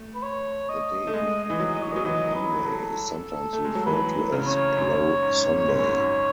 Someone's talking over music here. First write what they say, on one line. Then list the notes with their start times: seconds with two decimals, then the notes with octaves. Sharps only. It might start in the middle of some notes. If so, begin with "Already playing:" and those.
The day before Plough Monday is sometimes referred to as Plough Sunday.
Already playing: A3
0.15 B4
0.23 C#5
0.69 D#5
1.07 A3
1.14 G#3 D#5
1.44 D#5
1.50 E3
1.60 F#3
1.74 D#5
1.83 C#5
1.92 F#3 D#5
2.05 E3 D#5
2.35 B4
2.66 A4
3.53 A3
3.65 G#3
3.75 F#3
3.86 E3 B4
4.32 C#3
4.48 C#5
4.77 F#2
5.23 G#2
5.69 G#2
5.79 F#2
6.00 F#2